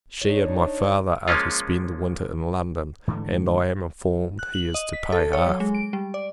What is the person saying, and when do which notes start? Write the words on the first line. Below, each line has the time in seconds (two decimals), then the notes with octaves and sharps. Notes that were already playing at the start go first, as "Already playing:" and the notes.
She, and my Father, are to spend the winter in London; and, I am informed, he is to pay half.
0.22 D4 D#4 C#5
1.28 F3 G#3 A#3 C#4 F4
3.07 G#2 D3 E3 A3
4.39 F#6
4.54 F#7
4.74 D#5
4.93 B6
5.12 A4
5.33 C#5
5.46 F#3
5.60 G#3
5.75 D7
5.93 G3
6.14 D5